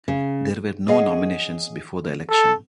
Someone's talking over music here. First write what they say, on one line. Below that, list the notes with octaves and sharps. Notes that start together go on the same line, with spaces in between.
There were no nominations before the election.
C#3
G#4 C#5 D#5 F5 F#5
A4